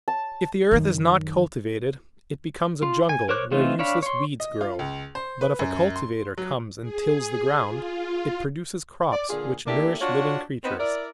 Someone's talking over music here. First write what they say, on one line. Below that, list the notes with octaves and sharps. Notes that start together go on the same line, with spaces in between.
If the earth is not cultivated, it becomes a jungle where useless weeds grow; but if a cultivator comes and tills the ground, it produces crops which nourish living creatures.
A5
F#2 D#3
F4
G#5
A#4 C5 C#5 D6 F#6
E3 A3 C4 D#4 F4
D4 C#5 D5 F5 B5
C#5 C6
D#5
F4
C#2
C5
B4
F#2
C6
F#3
G#4
F4
D5
A#2 D3 F4 G#4
A3 A#3 D4 E4 G4
D4 F4 F#4 C#5
B3 C4 D#4 B4
E4 A#4 D5